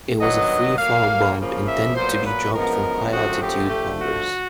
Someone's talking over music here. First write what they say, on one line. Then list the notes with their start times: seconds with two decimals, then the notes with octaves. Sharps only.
It was a free-fall bomb intended to be dropped from high-altitude bombers.
0.20 G2 D#3 F#3 B3 D#5
0.78 A2 F#3 A#3 F5
1.37 C#3 F3 A#3
1.66 E5
1.95 A#2 F#3 B3 C5
2.24 B4
2.53 F#2 D3 F3 G#3 B3 A#4
3.12 F#2 D3 F3 A3 C4 F#4
3.41 G4
3.70 D3 F3 A3
3.99 F#4